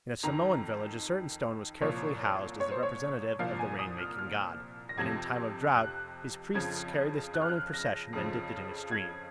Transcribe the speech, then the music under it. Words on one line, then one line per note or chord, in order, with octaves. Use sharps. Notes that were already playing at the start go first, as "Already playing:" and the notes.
In a Samoan village a certain stone was carefully housed as the representative of the rain-making god, and in time of drought his priests carried the stone in procession and dipped it in a stream.
F2 D#3 A#5
C2 A#2 F3 C#5
C#5
C5
C#5
C2 A#2 F3 F5
G#5
D#6
F6
F6
A#6
F2 C3 F3 G#6
F#6
F2 C#3 F3 G#6
F#6
F6
F#6
A#6
F2 C#3 F3
G#6